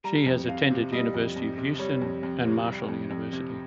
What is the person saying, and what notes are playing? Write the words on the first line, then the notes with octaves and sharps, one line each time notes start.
She has attended University of Houston and Marshall University.
G3 A#5
F2
F2 F5
C3
G3 D#5
F2
F2
C3
G3 C#5
F2
F2
C3
G3
F2
F2
C3